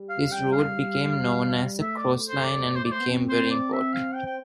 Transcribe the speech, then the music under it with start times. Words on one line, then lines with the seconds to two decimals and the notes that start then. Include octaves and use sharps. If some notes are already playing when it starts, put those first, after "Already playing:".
This route became known as the "Crossline" and became very important.
Already playing: G3
0.09 F5
0.32 G5
0.53 F5
1.81 A3 E5
1.97 D5
2.28 C5
2.44 D5
2.76 C5
2.85 D5
2.92 C5
3.00 B3
3.09 C4
3.29 C5
3.51 D5
3.73 E5
3.93 F5
4.14 G5
4.26 G5